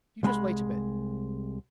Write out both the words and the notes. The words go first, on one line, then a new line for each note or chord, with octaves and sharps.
You just wait a bit.
C2 G#3 G#5 B5